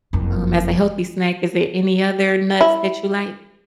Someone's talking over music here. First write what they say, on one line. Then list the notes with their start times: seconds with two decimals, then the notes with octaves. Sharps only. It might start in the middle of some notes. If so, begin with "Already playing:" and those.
um, as a healthy snack. Is there any other nuts that you like?
0.13 F#1 F2
2.61 E4